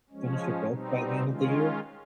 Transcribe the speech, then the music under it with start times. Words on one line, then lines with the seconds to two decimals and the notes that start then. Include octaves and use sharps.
finish a book by the end of the year
0.10 F3 G#3 C#4
0.67 B2 G3 C4 D#4
1.24 D#3 G#3 C#4 F4